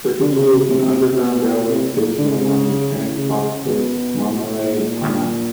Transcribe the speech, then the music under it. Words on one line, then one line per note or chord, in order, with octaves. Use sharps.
Sirkeci is an underground railway station along the trans-Bosphorus Marmaray tunnel.
D3
C#3
C3
C#3
C3
C3
B2
C3
A#2
D3
C#3
C3
C#3
C#3
B2
A#2